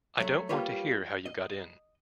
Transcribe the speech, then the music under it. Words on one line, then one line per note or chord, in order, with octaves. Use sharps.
I don't want to hear how you got in.
F#3 A3
G3 A#3 F4 G4 B4 C#5
D#5